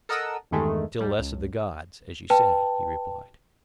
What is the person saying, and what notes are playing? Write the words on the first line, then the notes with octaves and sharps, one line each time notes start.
Still less of the gods, as you say, he replied.
A4 A#4 D#5 F#5 D#6 E6
E2 G2 D#3 G#3 A3
D#2 G3
C#2
B4 G5 A5